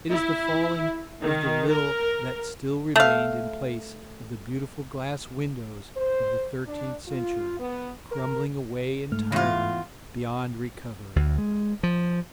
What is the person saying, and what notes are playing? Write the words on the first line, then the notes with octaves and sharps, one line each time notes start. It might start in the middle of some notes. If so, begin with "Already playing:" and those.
It is the falling of the little that still remained in place of the beautiful glass windows of the thirteenth century, crumbling away entirely, beyond recovery.
E4
D#3
A#4
A3 F5
C5
D4
F4
B3
A#4
G#2 A3 F6
E2 F4
D2
G#3
F3